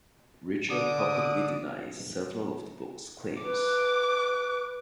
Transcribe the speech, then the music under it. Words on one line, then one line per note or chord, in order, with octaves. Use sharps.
Richer publicly denies several of the book's claims.
D3 D6 D#6
B4 D6